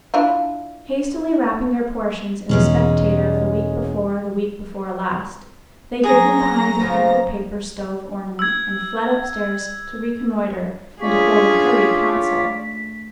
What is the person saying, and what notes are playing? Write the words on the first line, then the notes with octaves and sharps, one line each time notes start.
Hastily wrapping their portions in a Spectator of the week before the week before last, they hid them behind the crinkled-paper stove-ornament, and fled upstairs to reconnoitre and to hold a hurried council.
D4 E4 F4
E2 B2 G#3 C#4 D#4
F#3 G#4 A#5 A#6
C#3 F3 C#4
E6 G#6
C#4 D4 F4 G#4 C#5 D5 B6
A3